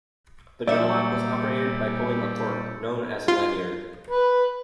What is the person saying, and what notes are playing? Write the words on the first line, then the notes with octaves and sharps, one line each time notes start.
The gunlock was operated by pulling a cord, known as a lanyard.
A#2 G3 D5 E5 E6 G6 C#7
F4
B4